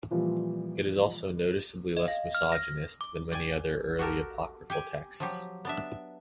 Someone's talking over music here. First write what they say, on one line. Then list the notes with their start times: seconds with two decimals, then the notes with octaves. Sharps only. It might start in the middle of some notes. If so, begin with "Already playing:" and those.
It is also noticeably less misogynist than many other early apocryphal texts.
0.11 A#2 E3 F3 G3
1.97 D#5
2.08 F5
2.35 F6
2.52 A#6
3.01 D6
3.32 D5 G5 G#5
3.99 F#4 G4 A4 A#4
4.70 G4 G5 G#5
5.20 F3 F#3 G4
5.65 B3 D4 E5